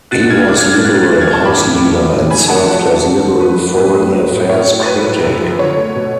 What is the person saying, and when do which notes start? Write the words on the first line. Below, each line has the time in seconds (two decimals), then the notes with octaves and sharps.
He was Liberal House Leader and served as Liberal Foreign affairs Critic.
0.11 B2 F#6 A6
0.30 B2 F6 G#6
0.48 A3 D6 F#6
0.60 F6 G#6
0.66 A3
0.72 F#6 A6
0.85 A2 F#6 A6
1.03 G#3 F#6 A6
1.21 F3 F6 G#6
1.33 A5 C#6
1.39 A2
1.45 B5 D6
1.57 A2 B5 D6
1.76 A3
1.94 F#3
2.13 A2
2.30 F2 G#5 B5
2.48 A3 F#5 A5
2.67 F3 F#5 A5
2.85 F2
3.04 F2
3.21 A3
3.40 F3 B4
3.58 F2
3.77 A2 B4
3.94 A3
4.13 F#3
4.31 A2
4.49 A2 C#5
4.68 A3
4.86 F#3 B4
5.04 A2
5.23 F#2
5.40 F3
5.59 D3 C#5
5.77 A3
5.95 B2